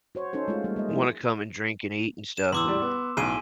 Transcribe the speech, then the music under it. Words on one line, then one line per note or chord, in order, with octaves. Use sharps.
wanna come and drink and eat and stuff. And,
F#4 C5 C#5
C#4 D#4 A4 C5
G#3 A3 F4
G3 A3 A#3
G#3 A#3 D#5
F3 D#4 E4
E7
E2 E3 C6 D6 E6
A2 G3 D5
B3
B1 A2 G#5 C7 D#7